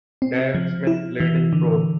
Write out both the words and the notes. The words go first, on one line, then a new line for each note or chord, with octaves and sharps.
Darren Smith played in the Proles.
C4
F3
E4
E3
D3